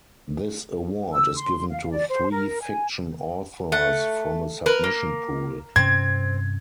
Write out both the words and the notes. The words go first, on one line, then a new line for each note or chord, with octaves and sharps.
This award is given to three fiction authors from a submission pool.
E6
C6
F5
D5
C5
A#4
G#5
A3 F#5
A#4 B4
A#3
G2 C3 C4 C#4 G#6